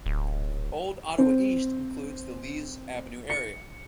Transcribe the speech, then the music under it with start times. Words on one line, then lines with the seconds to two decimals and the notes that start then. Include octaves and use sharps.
Old Ottawa East includes the Lees Avenue area.
0.06 D1
1.18 C4
3.30 C#7